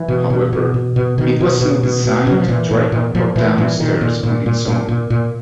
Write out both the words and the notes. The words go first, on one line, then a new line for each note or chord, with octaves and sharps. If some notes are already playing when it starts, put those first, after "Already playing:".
However, it was not designed to drive up or down stairs on its own.
Already playing: E3
B2
B2
B2
B2
B2
B2 D#3
B2
B2
B2
B2
B2 F#3
F3
A#2 E3
A#2
A#2
A#2 F3
A#2 E3
A#2 E3
A#2 D#3
A#2
A#2
A#2
A#2
A#2
A#2